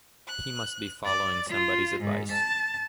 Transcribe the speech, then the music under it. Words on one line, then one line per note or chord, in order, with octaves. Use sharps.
He must be following somebody's advice.
F#6
D5
F4
G#2
A5